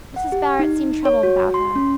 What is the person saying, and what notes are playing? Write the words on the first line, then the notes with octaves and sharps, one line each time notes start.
Mrs. Barrett seemed troubled about her.
F#5
G4
D#4
C#5
F#4
C6
C#4